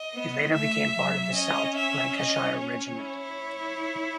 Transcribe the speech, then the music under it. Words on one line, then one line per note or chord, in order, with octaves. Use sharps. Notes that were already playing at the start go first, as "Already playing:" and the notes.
It later became part of the South Lancashire Regiment.
Already playing: D#5
B3
A3 E5
F#3
C#4 D#5
E5
D#5
C#5
E4